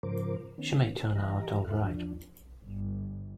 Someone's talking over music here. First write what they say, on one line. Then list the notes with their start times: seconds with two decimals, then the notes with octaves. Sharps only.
She may turn out all right.
0.03 G#2 C#3 F3 A#4 C5 D6
0.58 D#3 B3 C#4
1.15 E3 G4 D#5 A#5
1.64 E2 A4 E5 F6 F#6
1.83 E2 F3 D4
2.63 G1